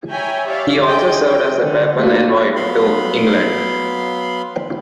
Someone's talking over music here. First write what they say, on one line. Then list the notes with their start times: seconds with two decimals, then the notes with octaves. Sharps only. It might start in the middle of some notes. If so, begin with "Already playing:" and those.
He also served as a papal envoy to England.
0.11 C#5 E5 G5 G#5 A#5 B5
0.46 G4 C#5 D5 E5 F5
0.86 G#4 D5 D#5 G5 G#5
1.24 G5
1.63 D3
1.97 A3 A#3 F4 F#4 B4
2.56 F#3 B3 F5 B5 C6